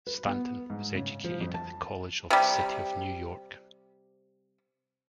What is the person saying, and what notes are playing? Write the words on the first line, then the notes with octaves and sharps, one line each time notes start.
Stanton was educated at the College of the City of New York.
B4
B3
G#2
C#3
F3
F2
A5
C3 G3